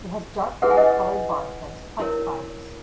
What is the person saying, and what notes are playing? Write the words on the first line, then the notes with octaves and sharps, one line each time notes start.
It has dark grey coloured bark that is quite fibrous.
E4 G#4 B4 F#5
G#5
D#5 F#5
E4 A#4 C#5